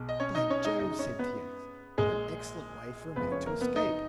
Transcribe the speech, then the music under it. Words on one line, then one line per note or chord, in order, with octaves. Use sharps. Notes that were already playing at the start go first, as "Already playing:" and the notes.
"By Jove!" said T. X. "What an excellent way for a man to escape!"
Already playing: B1 B2 G#3
D#5
C#4 C#5
D#4 D#5
C#4 C#5
D#4 D#5
F#2 C#3 G#3 D#4 D#5
C#4 C#5
B3 B4
A#1 A#2 G#3 G#4
F#1 F2 F3 G#3 B3 B4
C#4 C#5
A#3 A#4
B3 B4
D#4 D#5